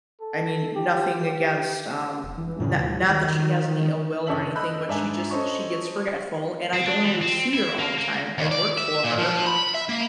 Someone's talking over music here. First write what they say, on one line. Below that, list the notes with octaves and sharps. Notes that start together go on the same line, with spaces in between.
I mean, nothing against, um, no not that she has any ill will or anything, but she just she gets forgetful, and I don't always see her all the time, I work for her
A4
G4
G4
F1
E3
F#2 A2 C#3
D2 B2
G3
D#3
F#1 C#4 D4 A4 E5 F#7
A4 D#5 B5 E6 F#6 G6
G#2 D4 E5 G#5
C#4 A4 C5 D#5 C#6
C4
D4
E3
C4
E4
A#3
A#3
D#2
D5
E5
A#2
F3
B5
E5
A#3